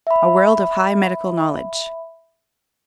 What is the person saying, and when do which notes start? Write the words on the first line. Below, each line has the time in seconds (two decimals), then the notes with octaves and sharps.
A World of High Medical Knowledge.
0.07 E5 B5